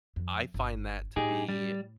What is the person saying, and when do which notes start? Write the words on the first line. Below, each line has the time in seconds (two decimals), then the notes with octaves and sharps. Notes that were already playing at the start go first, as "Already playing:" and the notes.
I find that to be
0.16 F2
0.54 G1
1.16 A2 D#4 G4 G#4
1.49 G3